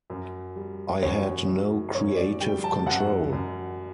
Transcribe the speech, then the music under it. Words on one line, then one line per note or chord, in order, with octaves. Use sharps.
I had no creative control.
F#2
G3
F#2 C#5
F#2
F#2 C#5
D5
G3 G5
A5
F#2 F#5
F#2